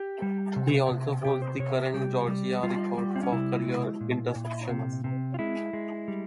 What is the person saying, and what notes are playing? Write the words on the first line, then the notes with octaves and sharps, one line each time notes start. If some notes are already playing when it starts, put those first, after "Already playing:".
He also holds the current Georgia record for career interceptions.
Already playing: G4
G3
C3
C3
C3 G4
C5
C3 C#5
E5
G3 G4
G3
G3 F4
G3
C4
C#4
C3 E4
G#3
A#2
A#2
C3
C3
F4
G#3 E4
G#3
G3